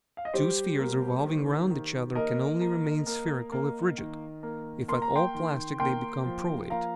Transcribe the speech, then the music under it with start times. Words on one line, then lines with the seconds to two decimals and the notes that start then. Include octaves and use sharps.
Two spheres revolving round each other can only remain spherical if rigid; if at all plastic they become prolate.
0.17 F5
0.25 D#5
0.34 G3 G4 C5
0.79 A#3
1.25 D#3
1.71 D#3
2.15 A#3 A#4 D#5
2.61 A#3
3.06 A#3
3.52 A#3
3.98 D#3
4.43 A#3
4.88 A#3 C6
5.02 A#5
5.16 G5 C6
5.34 D#3
5.79 A#3 G5 C6
6.25 F3
6.70 A#3 F5 A#5